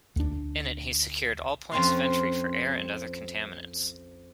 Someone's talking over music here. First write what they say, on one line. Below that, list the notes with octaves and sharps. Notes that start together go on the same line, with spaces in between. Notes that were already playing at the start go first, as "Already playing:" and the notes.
In it he secured all points of entry for air and other contaminants.
D2 D4
F2 C4 C#4 F4 A#5 C6